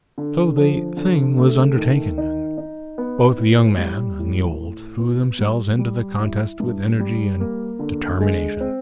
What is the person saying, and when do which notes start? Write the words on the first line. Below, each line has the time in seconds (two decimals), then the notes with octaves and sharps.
So the thing was undertaken, and both the young man and the old threw themselves into the contest with energy and determination.
0.18 D3
0.57 F3
0.97 D3
1.38 A3
1.77 D#3
2.18 D#4
2.57 D#4
2.98 B3
3.38 A2
3.78 G3
4.19 A2
4.58 A2
4.99 B3
5.39 G3
5.79 G3
6.20 E4
6.60 G2
7.00 G3
7.40 A#3
7.79 D3
8.20 G#3
8.61 C4